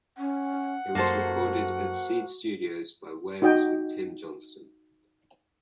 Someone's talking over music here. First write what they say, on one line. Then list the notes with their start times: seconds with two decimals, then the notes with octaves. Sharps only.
It was recorded at Seed Studios by Wales with Tim Johnston.
0.18 C#4 F#5
0.95 F#2 A#3 F#4 A4 C5
3.42 D#4 F#4 D#5 G5